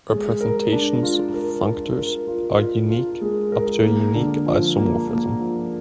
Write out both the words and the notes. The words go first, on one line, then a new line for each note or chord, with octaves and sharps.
Representations of functors are unique up to a unique isomorphism.
G#3
A#4
D4
F4
A#4
D4
A#4
F4
F4
F4
G#3
A#4
A#3
D3
F3
A#3
A#3
F3